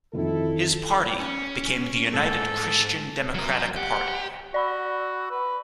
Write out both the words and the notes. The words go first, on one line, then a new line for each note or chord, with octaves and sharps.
His party became the United Christian Democratic Party.
F2 D#3 E3 E4 A4
C#4
G#2 A4
F#3 A#4
G4 F#5
F#4 D5 B5 E6
B4